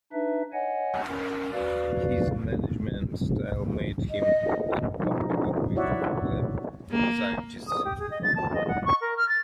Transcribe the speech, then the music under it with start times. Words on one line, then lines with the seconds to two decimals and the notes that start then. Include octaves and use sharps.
His management style made him unpopular with lab scientists.
0.13 D4 D#4 B4 E5
0.53 C#5 D#5 F#5 G#5
1.08 C#4 A#4
1.52 F#4 B4 D5 F5
4.11 D#5
5.02 B2 F3 G3 D#4
5.32 D4
5.76 E4 F#4 C#5 D5 E5 F#5
6.91 A#3
7.68 D#6
7.85 G4
7.99 G#4
8.11 D#5
8.23 A6
8.36 A5
8.53 D#5
8.68 F#5
8.85 C#6
9.01 A#4
9.17 F6
9.29 A6